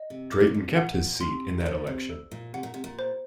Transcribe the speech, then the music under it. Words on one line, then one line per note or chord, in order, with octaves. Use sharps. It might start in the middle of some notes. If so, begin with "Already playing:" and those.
Drayton kept his seat in that election.
Already playing: D#5
C3
A#2 D3 D6
D#3
D3
C3
A#2 F#5
C3 C6
D#3
A#2 D3 C5
C3
A4
A#2
C3 F#5
A#2
C3
A#2
C5